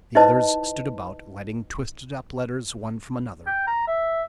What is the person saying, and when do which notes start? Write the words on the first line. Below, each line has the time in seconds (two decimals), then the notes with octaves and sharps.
The others stood about, lighting twisted up letters one from another.
0.15 D#4 E4 B4 C5 D#5 A5
3.46 G5
3.67 A#5
3.87 E5